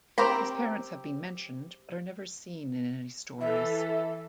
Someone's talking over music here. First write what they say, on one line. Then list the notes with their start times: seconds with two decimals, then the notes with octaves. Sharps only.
His parents have been mentioned but are never seen in any stories.
0.18 C4 G4 A#4 A#5 B5
3.40 E3 A4 E5